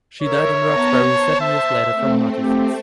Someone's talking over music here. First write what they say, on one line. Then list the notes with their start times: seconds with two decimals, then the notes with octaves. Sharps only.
She died in Roxbury seven years later from heart disease.
0.22 A#4 C#5 E5
0.66 B3 A5 A#5
1.07 C5 A5
1.41 E5
1.91 A3 C4
2.43 G4